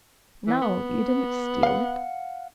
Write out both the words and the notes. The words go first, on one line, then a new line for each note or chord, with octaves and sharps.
No, you didn't steal it.
E3
B3
F5 F#5